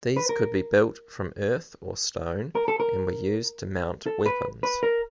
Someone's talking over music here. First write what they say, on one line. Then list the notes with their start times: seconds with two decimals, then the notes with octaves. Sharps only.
These could be built from earth or stone and were used to mount weapons.
0.17 B4
0.29 A#4
2.55 A#4
2.68 A4
2.80 A#4
4.06 A4
4.26 B4
4.63 B4
4.83 A#4